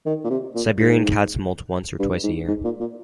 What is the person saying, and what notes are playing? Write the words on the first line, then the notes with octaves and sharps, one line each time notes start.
Siberian cats moult once or twice a year.
D#3
A#2
C3
A#2
G#2
G2
G#2
G#2
A#2
A#2